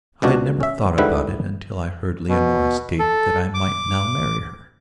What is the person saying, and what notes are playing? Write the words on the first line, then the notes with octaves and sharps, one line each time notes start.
I had never thought about it until I heard Leonora state that I might now marry her.
C#2 B2 D4 F#4
C#4 E5
G#2 D3 G3 E4 B4 F#5
B2
A4
D6